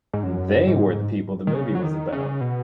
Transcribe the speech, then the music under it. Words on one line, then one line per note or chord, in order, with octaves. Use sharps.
They were the people the movie was about.
G#2
F#2
G#2
D#3
C#3
F#3
D#3
C#3
B2